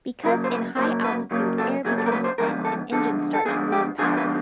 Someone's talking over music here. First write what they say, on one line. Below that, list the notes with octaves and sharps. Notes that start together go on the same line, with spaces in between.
Because in high altitude air becomes thin and engines start to lose power.
C#3 F#3 A#3 A#4
C5
B4
C#3 F#3 A#3 C5
B4
C#3 F#3 A#3
A4
C#3 F#3 A#3 G#4
A4
A#4
B4
C5
D3 F3 G#3 B3 A#4
A4
D3 F3 G#3 B3 A4
A4
D3 F3 G#3 B3 G#4
G4
D3 F3 G#3 B3 G#4
B4